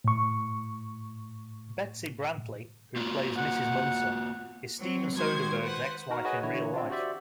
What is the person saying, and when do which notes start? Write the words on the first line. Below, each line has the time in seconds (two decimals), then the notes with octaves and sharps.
Betsy Brantley, who plays Mrs. Munson, is Steven Soderbergh's ex-wife in real-life.
0.04 A2 C#6
2.96 A#3 F4 F#4
3.37 F#5
4.79 F#3 C4
5.15 D#3 G#3 F#4 C5 G#6
5.63 B4 C5 F#5
6.10 D#4 F#4 A#4
6.25 F#4 G#4 B4 C#5 D#5 G#5
6.43 D3 E3 E4 C#5
6.74 C4 D4 F4
6.90 F#4 G4 C5 D5 E5